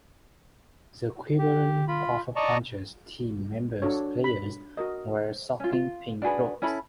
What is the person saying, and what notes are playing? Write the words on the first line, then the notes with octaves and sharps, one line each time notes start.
The Quiberon Quafflepunchers team members players wear shocking-pink robes.
G4
F4 B5
D5 D#5 A5 A#5 C#6
D4 F#4 A4 C#5
B5
F#4 A#4 D#5
C#4 F4
F4
D4 F#4 G#4 B4
C#4 E4 A4 B5